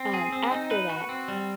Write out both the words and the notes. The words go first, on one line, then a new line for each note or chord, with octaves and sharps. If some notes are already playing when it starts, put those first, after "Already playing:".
um, after that.
Already playing: C4
G#4
C4
D#4
B4
F#4
C4
G3